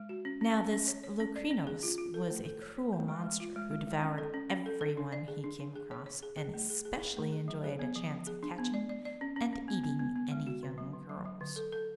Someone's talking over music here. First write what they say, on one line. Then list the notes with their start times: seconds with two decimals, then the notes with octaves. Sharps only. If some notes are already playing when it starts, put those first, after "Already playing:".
Now this Locrinos was a cruel monster who devoured everyone he came across, and especially enjoyed a chance of catching and eating any young girls.
Already playing: G#3
0.09 F#4
0.25 C#4
0.41 C#4
0.57 C#4
0.72 C#4
0.88 C#5
1.04 C#5
1.20 C#4
1.36 D5
1.51 C#4
1.67 G#4
1.83 F4
1.98 F4
2.14 A4
2.30 A3
2.45 A4
2.62 C#5
2.77 C#5
2.93 A3
3.08 G#3
3.24 G#3
3.40 F4
3.56 G#3
3.71 G#3
3.87 G#3
4.02 C#4
4.18 A4
4.34 C#4
4.50 C#4
4.66 A4
4.81 A4
4.97 D4
5.13 D5
5.28 G#4
5.44 D4
5.60 D4
5.76 G#4
5.91 C#5
6.06 C#5
6.23 G#4
6.38 G#4
6.54 A3
6.70 G#4
6.85 G#4
7.01 G#4
7.17 A3
7.32 G#4
7.48 F#3
7.64 G#4
7.79 B3
7.96 F3
8.11 F3
8.27 G#4
8.43 D4
8.59 B3
8.74 D5
8.89 D5
9.05 D5
9.21 C#4
9.36 C#4
9.53 C#4
9.68 B3
9.84 B3
9.99 B3
10.16 B3
10.32 G#3
10.47 F#4
10.63 D3
10.78 F#3
10.93 D3
11.09 F#3
11.25 F#3
11.41 D3
11.56 A4
11.73 A4